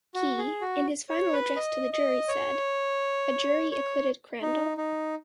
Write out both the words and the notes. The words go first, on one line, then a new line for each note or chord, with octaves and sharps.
Key, in his final address to the jury said: A jury acquitted Crandall.
F#4
G#4
F#4
C#5
B4
D#5
D#5
C#5
C#5
D#4
D#4